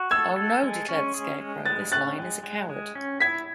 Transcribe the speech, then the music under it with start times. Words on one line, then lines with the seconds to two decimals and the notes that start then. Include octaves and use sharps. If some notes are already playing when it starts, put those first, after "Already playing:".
"Oh, no;" declared the Scarecrow; "this Lion is a coward."
Already playing: F#4
0.11 A4 E6 G#6
0.36 A4
0.63 G#3
0.89 C#4
1.14 G#4
1.40 G#3
1.66 G#3 F#6 A6
1.92 C#4 F#6 A6
2.18 G#3
2.44 G#3
2.70 G#3
2.95 C#4
3.20 E4 G#6 B6